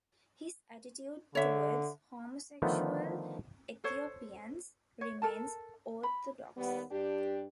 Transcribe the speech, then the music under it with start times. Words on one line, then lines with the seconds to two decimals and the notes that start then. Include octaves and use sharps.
His attitude towards homosexual Ethiopians remains orthodox.
1.35 D3 C#5 E5
2.62 D3 D#3 F3 A3 B3
3.84 A4 C5 C#5
5.01 C#5
5.22 A4 A#4 A5
6.03 B5
6.57 D#2 G3 B3
6.92 G2 D4 G4